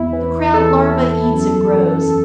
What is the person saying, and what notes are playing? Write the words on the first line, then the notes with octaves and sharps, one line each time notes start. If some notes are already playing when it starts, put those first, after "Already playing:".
The Crab larva eats and grows.
Already playing: E2 E4
E3
E2 A4
E2
F#2
F#2